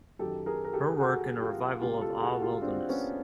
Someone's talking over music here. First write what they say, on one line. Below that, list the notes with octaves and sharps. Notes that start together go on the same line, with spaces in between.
Her work in a revival of Ah, Wilderness!
F#2 D#3 G4 A4
G#4 A#4
A#4
G4 A4
F#4 G#4
F4 G4
C#2 B2 F4 G4
G4 A4
F#4 G#4
F4 G4
C4 D4
B3 C#4